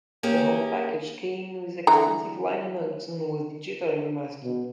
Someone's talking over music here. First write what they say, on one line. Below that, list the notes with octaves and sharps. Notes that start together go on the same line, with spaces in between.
The whole package came with extensive liner notes and was digitally remastered.
A#3 C#4 G4 G#4
D3 E3 A#5
B2